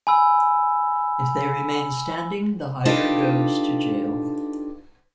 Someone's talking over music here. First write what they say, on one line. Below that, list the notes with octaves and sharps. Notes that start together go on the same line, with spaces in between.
If they remain standing, the hider goes to jail.
G#5 B5 E6
D4 D#4 F4 G4 A4 B4